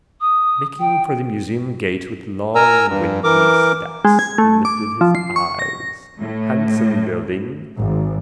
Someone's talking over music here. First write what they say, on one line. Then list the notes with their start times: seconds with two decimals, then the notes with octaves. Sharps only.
Making for the museum gate with long windy steps he lifted his eyes. Handsome building.
0.21 D#6
0.80 G5
2.55 A#4 G#5 A#5 E6
2.89 G2
3.24 E3 A#4 D6
4.05 G#3
4.19 G#6
4.38 A3
4.65 D6
5.01 F3
5.15 C7
5.36 C#6
5.59 A#6
6.20 A2
7.79 G#1